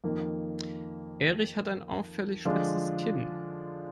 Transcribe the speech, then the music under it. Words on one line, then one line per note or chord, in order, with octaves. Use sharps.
Erich hat ein auffällig spitzes Kinn.
F2 D#3 A#3
D3 F3 G#3 D4 F4